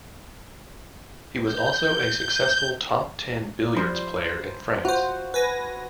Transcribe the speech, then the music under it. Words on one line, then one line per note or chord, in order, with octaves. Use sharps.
He was also a successful top ten billiards player in France.
G6
F3 G3 C5
F4 F#4 C5
B4 G#5 A#6